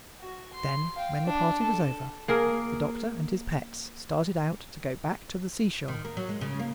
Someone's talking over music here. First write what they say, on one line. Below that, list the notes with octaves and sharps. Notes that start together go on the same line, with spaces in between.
Then, when the party was over, the Doctor and his pets started out to go back to the seashore.
F#4
C6
F5 G5
D4
A4
A#3 G#4 A#4
D#3
A#3
F#3
G#3
C#3
A#3